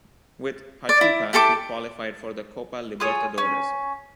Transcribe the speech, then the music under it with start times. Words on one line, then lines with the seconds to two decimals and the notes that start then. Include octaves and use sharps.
With Pachuca, he qualified for the Copa Libertadores.
0.89 D5
1.01 E4
1.33 E4 G4 A4 D6
3.00 F4 G#4 C#5
3.38 C#4